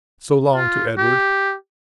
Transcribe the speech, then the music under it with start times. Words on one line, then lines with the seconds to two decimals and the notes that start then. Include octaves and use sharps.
"So long," to Edward.
0.55 F4
0.98 G4